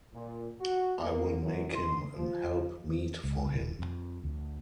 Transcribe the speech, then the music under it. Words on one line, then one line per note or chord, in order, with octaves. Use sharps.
I will make him an help meet for him.
A#2
F#4
A#3
F#2
C6
F3
C#2
D#1
F2
D2